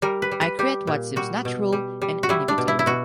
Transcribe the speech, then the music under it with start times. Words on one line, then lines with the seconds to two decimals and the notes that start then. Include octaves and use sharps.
I create what seems natural and inevitable.
0.02 G3 A#4
0.22 B4
0.31 G3
0.41 B4
0.59 G3 G4
0.87 A#2
1.16 G3 F#4
1.45 B2
1.72 G3
2.02 G3
2.23 F#4
2.29 G3 E4
2.48 D4
2.58 B2
2.68 E4
2.79 E4
2.86 B2 F#4